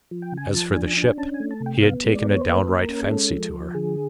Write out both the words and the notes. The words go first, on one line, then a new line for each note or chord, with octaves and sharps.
As for the ship, he had taken a downright fancy to her.
F3
G5
C#3
G#5
F3 A5
G#5
D4
G#5
D4 G#5
C#4 A5
G#5
A3
A5
C3
G5
B3 F5
G#3
D5
B3
C#5
C5
A#3 B4
A#3
A#4
C#4
G#4
G#3 A4
F3
F3
D3 G#4